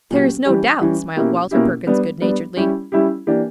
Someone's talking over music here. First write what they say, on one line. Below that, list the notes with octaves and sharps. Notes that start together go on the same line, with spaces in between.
"There is no doubt," smiled Walter Perkins good-naturedly.
A#2 F#3 C#4 G4
E3 G3 C#4 G4
E3 G3 C#4 G4
B2 A#3 C#4 E4 G4
B2 A#3 C#4 E4 G4
G3 B3 D4
G3 B3 D4
G3 C#4 E4 G4
G3 C#4 E4 G4
E3 A#3 D4 G4